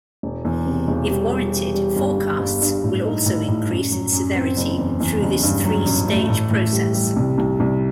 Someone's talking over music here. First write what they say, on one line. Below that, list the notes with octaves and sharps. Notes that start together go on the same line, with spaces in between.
If warranted, forecasts will also increase in severity through this three-stage process.
E1
E2
C3
E1
G3
G3
G3
G3
G1
G1
G1
G2
A2
D#4
A2
A2
F#2
F#3
F#2
C4
F#1
E2
E2
F#1
G2
F#3
A1
A3
A2
A2
G3
G3
C2
C2
C2